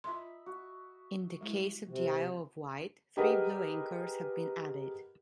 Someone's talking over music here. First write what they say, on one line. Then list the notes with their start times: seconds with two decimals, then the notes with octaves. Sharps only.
In the case of the Isle of Wight, three blue anchors have been added.
0.04 F4 D#5 E5 B5 C6
0.46 F#4
1.41 G3 G#3 E4
1.89 C3
3.17 G4 G#4 A#4 B4 D#5 F#5